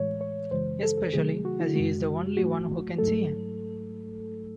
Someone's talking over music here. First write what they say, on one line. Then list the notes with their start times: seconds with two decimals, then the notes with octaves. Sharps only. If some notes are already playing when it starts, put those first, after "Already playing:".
Especially as he's the only one who can see him.
Already playing: A2 E3 G#3 C#5
0.21 C#5
0.51 F#2 C#3 E3 G#3 C5
0.83 A4
0.98 A4
1.13 C3 D#3 F#3 A3 G#4
1.45 F#4
1.60 E4
1.75 F#2 C#3 G#3 F#4
2.37 G#2 F#3 A3 F#4
2.98 G#2 F#3 A3 A4